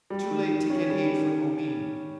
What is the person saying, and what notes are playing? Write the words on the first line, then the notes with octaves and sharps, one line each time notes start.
Too late to get aid from Omean.
G3
D#3
D#3
C#4
G3
D#3